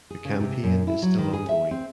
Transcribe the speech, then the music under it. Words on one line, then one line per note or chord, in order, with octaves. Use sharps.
The campaign is still ongoing.
G#4
C#3
C3
F#2
E4
F#3
D#3
G#4
E5
C4